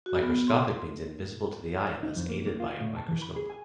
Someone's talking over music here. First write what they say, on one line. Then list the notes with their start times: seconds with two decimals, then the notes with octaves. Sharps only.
Microscopic means invisible to the eye unless aided by a microscope.
0.06 F#4
0.23 B3
0.48 C6
2.03 D#4
2.16 F2
2.29 A#3
2.46 A#3
2.60 F4
2.80 A2
2.97 A5
3.08 E3
3.22 B5
3.36 G#4
3.50 G#5